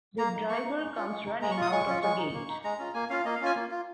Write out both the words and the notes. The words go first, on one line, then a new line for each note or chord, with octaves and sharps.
The driver comes running out of the gate.
A#3 A#5
D#4
A#3 C#6
D#4
G#3
C#4 F4
G#3
D#4
G#3 A#5
C#6
F4 D#6
G#3 C#6
C#4 F4
G#3 C#6
D#4
A#3
D#4
G#3 A#5
C#4 F4
A#3 G#5
C#4 F4 F5
A#3 D#5
F5
C#4 F4 G#5
A#3
F4